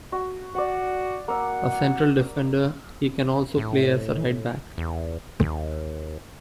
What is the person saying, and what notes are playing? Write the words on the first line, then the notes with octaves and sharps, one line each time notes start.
A central defender, he can also play as a right back.
F#4
F#4 D5 F#5
A#3 F#5 E6
A2
E2
D#2